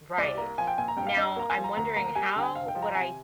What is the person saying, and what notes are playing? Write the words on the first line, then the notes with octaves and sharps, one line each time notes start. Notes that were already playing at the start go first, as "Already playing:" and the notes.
Right. Now, I'm wondering how would I
C2 D5
A#3 A#5
F3 G#5
G5
A#2 G#5
A#5
G2 G5
F5
G2 D#5
A#3 A#5
G#5
F3
A#5
D2 A#5
A#3 A#5
G3 G#5
D3 G5
G#5
F1 F5
G5
F3
A#5
C3 G#5